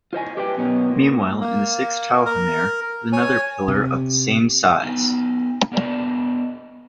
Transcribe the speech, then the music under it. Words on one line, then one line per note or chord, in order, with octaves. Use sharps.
Meanwhile, in the sixth talhamare is another pillar of the same size.
F4 C5 D#5 G#5
G4 B4 D5 E5 G5
F#2 B2 B3 C#4 D#4
A#2
A#3
A#4
C#5 G#5
C3
B3 D#4 G#5
B3 D4 A#4 D5 D#5